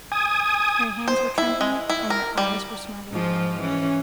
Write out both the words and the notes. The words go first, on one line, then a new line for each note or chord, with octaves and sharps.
Her hands were trembling and her eyes were smarting.
G#5 D#6
C5
E4
G#3
E4
A#4
G3
G#2 F3 F4
E3 C#4